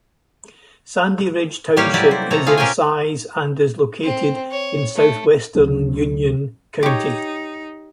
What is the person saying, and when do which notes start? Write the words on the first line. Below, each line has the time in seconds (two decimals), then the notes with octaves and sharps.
Sandy Ridge Township is in size and is located in southwestern Union County.
1.76 A2 G3 A#3 G4 C#5 F5
1.94 C3 F#3 G3 E4 G4 D5
2.11 C5
2.31 C3 A4 C#5 A#5
2.46 A3 F4 G#4
2.57 C#4 G4 A#4 F5 G5 G#5
4.03 C4
4.51 C#5
4.96 A3
5.55 D2 C3 F#3 D4
6.83 D#4 G4 C#5